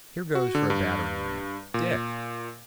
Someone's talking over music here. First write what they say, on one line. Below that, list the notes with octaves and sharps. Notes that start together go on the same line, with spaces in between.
Here goes for a battering-ram, Dick!'
F#4
D3
G2
A#2